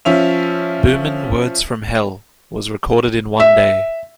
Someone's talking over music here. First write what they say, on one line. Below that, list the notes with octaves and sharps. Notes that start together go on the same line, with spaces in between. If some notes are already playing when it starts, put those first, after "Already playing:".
"Boomin' Words from Hell" was recorded in one day.
F3 C#4 E5 F7
E5